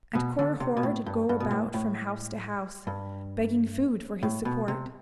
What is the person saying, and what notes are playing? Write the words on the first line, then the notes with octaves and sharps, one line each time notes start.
And Korihor did go about from house to house, begging food for his support.
B2
D3
C3
B2
A2
G2
G2
B2
A2
A2
G2
A2
B2
C3